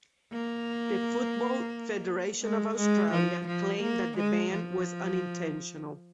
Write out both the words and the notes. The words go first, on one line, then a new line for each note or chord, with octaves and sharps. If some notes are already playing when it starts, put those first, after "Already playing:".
The Football Federation of Australia claimed that the ban was "unintentional".
A#3
G#3
G#3
F3
F3
A#3
G#3
F3